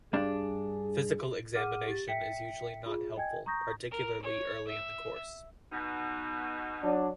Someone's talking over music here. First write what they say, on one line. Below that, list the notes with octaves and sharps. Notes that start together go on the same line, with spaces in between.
Physical examination is usually not helpful, particularly early in the course.
G2 D4 G#4
G#4 F#5 D6 F6 D#7
G4 A6
E5 G5 B6 C#7
F4 G#4
D#5 G5 G#5 G#6
A#5 C#6 D#6 G6 A#6
A#4
C#5
E5
B2 D#4
F#3 D4